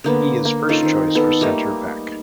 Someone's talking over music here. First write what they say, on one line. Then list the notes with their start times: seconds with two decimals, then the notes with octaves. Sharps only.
He is first choice for centre back.
0.04 D3 A#3 B3
0.45 A#3
0.69 C#4 D#4 F4 A4
0.83 D#3 C4
1.15 B3 A4
1.41 G3 A3 A#3 D#4